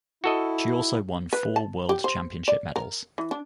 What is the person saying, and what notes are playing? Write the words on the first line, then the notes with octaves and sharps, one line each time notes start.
She also won four World Championship medals.
E4 F#4 A4 D#5
B4
A5
G4
C5
D5
A#4
E3
D4